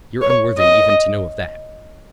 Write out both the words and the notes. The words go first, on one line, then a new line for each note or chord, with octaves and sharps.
You're unworthy even to know of that.
C#5
D#5